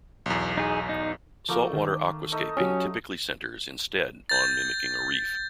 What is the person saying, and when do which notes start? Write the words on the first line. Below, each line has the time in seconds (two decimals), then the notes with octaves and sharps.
Saltwater aquascaping typically centers, instead, on mimicking a reef.
0.26 B1 E2
0.58 D#4 G#4
0.89 D#4
1.49 F3 A3 A#3
1.73 D#3
2.32 A3 D#4 D#5
2.57 F#3 C#4 G4
4.29 G6 A6